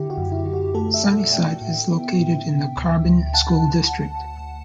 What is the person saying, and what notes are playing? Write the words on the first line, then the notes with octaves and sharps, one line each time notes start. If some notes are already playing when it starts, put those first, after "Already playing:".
Sunnyside is located in the Carbon School District.
Already playing: D3 E4 G4
F#4
F#2
E4
D3
F#4
A3 F#4 A4
E5
B2 D5 F#5
A3 E5 G5
A2
B3
A2
C3
D2
D2
F#5 A5